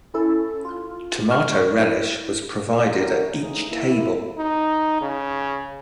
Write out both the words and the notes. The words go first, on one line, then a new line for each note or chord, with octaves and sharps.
Tomato relish was provided at each table.
C#4 E4 A4
F4
C#6 F6
E4
E3 G3 C#4 F#4 A#4
C#3 E3 G#3 A3 D#4 G#4
A#3 E4
D#4
C#3